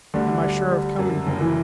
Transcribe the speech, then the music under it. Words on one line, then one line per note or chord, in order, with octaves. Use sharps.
"Am I sure of coming here?"
D2 D3 G3
G3
G3
F#2
F#1
E3